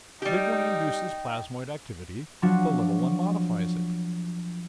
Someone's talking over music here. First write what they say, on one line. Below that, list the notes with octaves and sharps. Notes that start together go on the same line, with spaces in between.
The big one induces plasmoid activity, the little one modifies it.
G3 D#4 G4 G5
F3 F#3 D4 F4 F#4